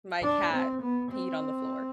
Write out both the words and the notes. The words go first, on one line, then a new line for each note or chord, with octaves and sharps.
my cat peed on the floor.
D4
C4
B3
C4